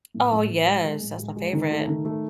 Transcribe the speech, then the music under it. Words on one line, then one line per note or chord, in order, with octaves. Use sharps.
Oh, yes. That's my favorite.
A2
A2
A2
G#3
G#3
A2
G#3
G#3
D#3
A3
D#3
A3